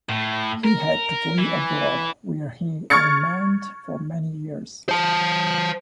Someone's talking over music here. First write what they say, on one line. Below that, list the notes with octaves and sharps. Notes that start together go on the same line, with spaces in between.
He had to flee abroad where he remained for many years.
A2
A#4
E3
C#6 F6 G#6 A6 C#7
C5 A5